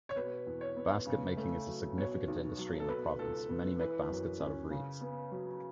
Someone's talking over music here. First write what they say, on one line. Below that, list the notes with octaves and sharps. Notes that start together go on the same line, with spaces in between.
Basket-making is a significant industry in the province; many make baskets out of reeds.
C#5
B2 B4
E2
C#5
B3
C#3
A3
F#3
B2 C#5
B1
F#3
A4
B2 B4
C#2 A4
B3
E3 B4
F#2
C#4
C#3
B3
F#3